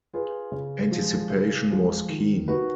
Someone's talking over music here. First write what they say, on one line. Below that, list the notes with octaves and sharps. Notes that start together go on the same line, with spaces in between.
Anticipation was keen.
F4 G#4 B4
C#3
F3 G#3
C#3
F3 G#3
D#3
A#3 D#4 F#4 B4